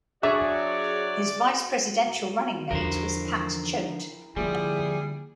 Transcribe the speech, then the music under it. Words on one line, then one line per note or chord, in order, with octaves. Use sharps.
His vice presidential running mate was Pat Choate.
F#3 D4 F#4 G#4 C#5 D5 E5 C#6
E2 D3 E3 F3 A#4 C5
D3 F3 G3 A#3 E4 G#4